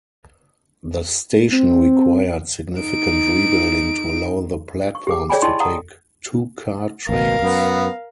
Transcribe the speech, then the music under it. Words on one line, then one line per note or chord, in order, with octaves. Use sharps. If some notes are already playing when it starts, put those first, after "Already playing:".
The station required significant rebuilding to allow the platforms to take two-car trains.
C4
D#4 D7
C#6
G4 G#4 D6
G#4 C#5 D5 G5 G#5 B5
E4 D#5 G5 A5 C6 C#6
F#5 A5 A#5 D#6
A1 B2 A#4 F5
F#2 B3